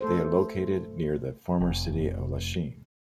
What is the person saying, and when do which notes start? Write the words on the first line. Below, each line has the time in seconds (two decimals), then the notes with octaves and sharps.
They are located near the former city of Lachine.
0.01 A3 A4 C5
1.61 F1